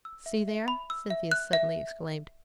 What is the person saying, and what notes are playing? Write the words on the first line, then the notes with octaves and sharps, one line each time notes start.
"See there!" Cynthia suddenly exclaimed.
E6
E5
E5
B5
E6
E5
F#6
E5